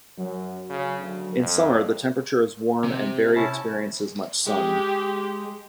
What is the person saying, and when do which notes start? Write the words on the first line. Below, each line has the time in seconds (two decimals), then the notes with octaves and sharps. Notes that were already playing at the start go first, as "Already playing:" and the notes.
In summer, the temperature is warm and Bury experiences much sun.
0.18 F#2 F#3
0.70 C#3
1.00 D2
1.40 F2
2.84 C3
3.36 C#4 E4 A5
4.47 G#3 G4